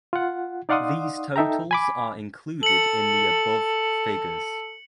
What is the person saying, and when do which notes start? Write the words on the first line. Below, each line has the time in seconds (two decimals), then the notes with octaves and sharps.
These totals are included in the above figures.
0.13 F4 F#5
0.69 D#4 D5 F5 F#5 C6 D#6
1.36 D#4 A4 E5 G5 A#5
1.71 G#5 B5 D6
2.63 A4 C#7 F#7